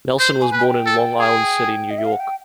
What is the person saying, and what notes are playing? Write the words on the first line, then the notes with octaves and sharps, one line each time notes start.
Nelson was born in Long Island City, New York.
C5
G#5
B4
G#5
G5
A4
G#4
D#5
E5
F5
F#5
G5